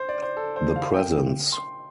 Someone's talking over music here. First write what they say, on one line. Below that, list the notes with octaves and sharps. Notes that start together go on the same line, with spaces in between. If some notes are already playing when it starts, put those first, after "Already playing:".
The presence.
Already playing: C5
D5
C5
A4
C5
F5
G5
C6